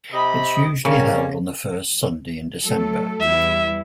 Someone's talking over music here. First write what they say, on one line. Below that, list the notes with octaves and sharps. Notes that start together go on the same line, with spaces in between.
It is usually held on the first Sunday in December.
C3 D#5 B5
C#3 G3 A#3 C#4
F#3 A3 A4
E2 G3 E4 E5